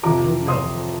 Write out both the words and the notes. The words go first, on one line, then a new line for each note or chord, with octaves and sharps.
I don't know.
F2 C3 F3 A#5 D6
C6 D#6